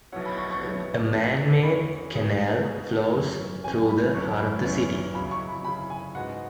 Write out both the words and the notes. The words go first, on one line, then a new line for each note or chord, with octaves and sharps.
A man-made canal flows through the heart of the city.
B1 B2 B3 E4 C#5 F#5
B5
C#6
C#6
B1 B2 B3 E4 C#5
E2 E3 C#4
E2 E3 C#4 B5
B2 B3 G#4
B2 B3 G#4
G#1 F#2 E3 C#4
G#1 F#2 E3 C#4 G#5
G#5
B5
G#1 F#2 E3 C#4 E4 C#6
B5
G#1 F#2 E3 C#4 E4
C#3 F#3 E4 B5
C#6
B5
C#3 F#3 E4 B5
G#5
G#2 G#3 B3 F#4 F#5